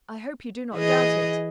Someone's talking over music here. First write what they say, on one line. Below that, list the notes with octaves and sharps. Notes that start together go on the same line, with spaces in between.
"I hope you do not doubt it."
E3 G#4 D#5